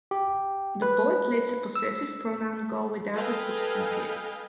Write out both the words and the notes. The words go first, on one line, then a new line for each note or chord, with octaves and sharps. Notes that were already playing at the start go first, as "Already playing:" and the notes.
The poet lets a possessive pronoun go without a substantive.
G4
B4
E6
A4 B4 D#5 F5 G5 G#5